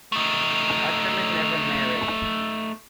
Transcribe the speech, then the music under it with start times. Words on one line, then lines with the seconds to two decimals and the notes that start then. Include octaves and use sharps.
Ackermann never married.
0.12 A3 D#4